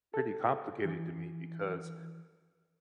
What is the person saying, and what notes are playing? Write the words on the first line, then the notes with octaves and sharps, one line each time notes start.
pretty complicated to me, because,
A4
E3